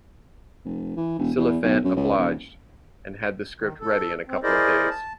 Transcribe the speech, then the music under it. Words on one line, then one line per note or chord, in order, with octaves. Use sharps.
Silliphant obliged, and had the script ready in a couple of days.
F1
E3
E1
E2
B1
F#2
C#2
D#1
D#3
A4
C4
E4 G#4 A#4 C5 D5 D#5
A5